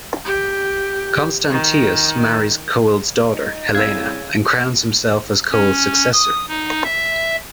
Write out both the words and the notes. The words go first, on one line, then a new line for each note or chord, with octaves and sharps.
Constantius marries Coel's daughter, Helena, and crowns himself as Coel's successor.
G4
D#3
D#4
C2 C#3 F5 E6 G#6
C#4
D#6
D#4
E5